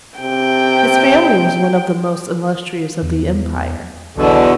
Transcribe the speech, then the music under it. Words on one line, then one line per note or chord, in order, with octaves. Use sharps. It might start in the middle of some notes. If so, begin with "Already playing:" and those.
His family was one of the most illustrious of the empire.
C3 G5
E2
B1 E2 B2 D3
B1